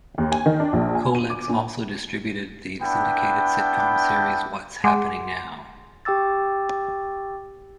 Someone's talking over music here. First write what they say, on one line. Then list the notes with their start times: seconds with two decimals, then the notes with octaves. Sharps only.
Colex also distributed the syndicated sitcom series What's Happening Now!!
0.18 D#2
0.32 G#5
0.46 D#3
0.60 D4
0.73 A#1
0.95 G#5
1.15 D#7
1.30 D6
1.49 A#2
2.82 B3 D4 E4 G5
4.84 G#3 F#5 C6 D6
6.05 G4 G5 D6 E6 A6